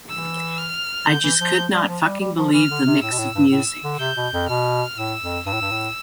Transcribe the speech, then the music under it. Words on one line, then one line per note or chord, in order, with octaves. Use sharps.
I just could not fucking believe the mix of music.
E3 E6
F6
D3 G6
E3
F3
F3
G3
F3
G3
G3
F3
E3 F6
D3
C3
A2 E6
B2
A2
G2
A2
D3
C3 G6
B2
F2
B2 F6
A2 E6
F2
G2 E6
A2
G2
A2